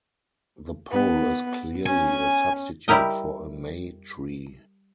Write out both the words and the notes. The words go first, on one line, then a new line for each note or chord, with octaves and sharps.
The pole is clearly a substitute for a May-tree.
B3
C#4 G#5
G3 E4 G4 A#4 D#5